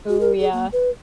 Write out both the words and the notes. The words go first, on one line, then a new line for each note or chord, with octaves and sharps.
Ooh, yeah.
F#4
A#4
G#4
A#3
B4